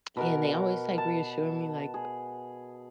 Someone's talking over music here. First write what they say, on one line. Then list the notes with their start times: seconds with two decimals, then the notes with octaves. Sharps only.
and they always, like, reassure me, like,
0.17 B2 A#4 F#5
0.98 A5
1.94 G#4